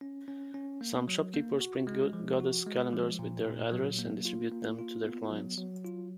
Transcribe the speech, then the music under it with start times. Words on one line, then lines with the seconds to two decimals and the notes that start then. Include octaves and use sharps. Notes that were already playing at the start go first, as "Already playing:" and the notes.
Some shopkeepers print goddess calendars with their address, and distribute them to their clients.
0.01 C#4
0.28 C#4
0.54 C#4
0.81 A#3
1.08 F#3
1.34 A#3
1.60 F#4
1.87 G#3
2.13 F3
2.40 F#4
2.67 G#3
2.92 F3
3.19 A#2
3.46 A#2
3.72 F#3
3.99 A#3
4.25 F4
4.52 A#3
4.79 F4
5.05 B3
5.31 F#3
5.58 F#3
5.84 F4